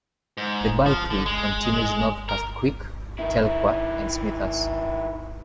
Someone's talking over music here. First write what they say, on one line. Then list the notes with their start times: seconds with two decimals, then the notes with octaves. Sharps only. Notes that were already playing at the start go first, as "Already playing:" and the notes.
The Bulkley continues north past Quick, Telkwa and Smithers.
0.37 G#2
0.86 F3
1.10 D3
1.26 G#3
2.29 A#4
3.19 D#3 E4